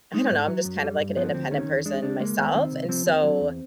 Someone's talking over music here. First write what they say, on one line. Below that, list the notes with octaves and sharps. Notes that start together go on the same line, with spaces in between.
I don't know, I'm just kind of, like, an independent person myself, and so
G#3 D#4
B3
G#2
F#3
F#2
G3
G2
F3 B3
D2 C4
D#3 C#4
E2
G#3 D4
C#2 D4
G#3 A#3
D#2 B3
D#3 C4
C2
F3 C4
D#2 C4
F#3
E2